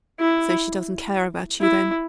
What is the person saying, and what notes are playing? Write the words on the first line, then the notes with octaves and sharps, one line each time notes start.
"So she doesn't care about you, then?"
E4
E4